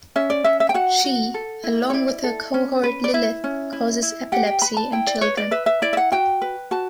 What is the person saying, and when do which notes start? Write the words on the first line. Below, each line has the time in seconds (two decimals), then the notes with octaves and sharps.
She, along with her cohort Lilith, causes epilepsy in children.
0.16 C#4 E5
0.30 D5
0.44 C#4 E5
0.60 E5
0.69 G5
0.74 F#4 F#5
1.04 F#4
1.34 A4
1.64 E4
1.90 C#5
1.94 E4 D5
2.24 A4
2.54 C#4
2.84 B4
3.04 D5
3.14 E4 E5
3.44 C#4
3.73 E4
4.03 E4
4.32 G4 F#5
4.47 G5
4.62 B4 B5
4.77 A5
4.92 E4 G5
5.07 D5
5.21 B4 C#5
5.37 D5
5.51 B4 E5
5.66 E5
5.82 E4 D5
5.93 E5
5.97 F#5
6.12 F#4 G5
6.42 B4
6.71 F#4 A5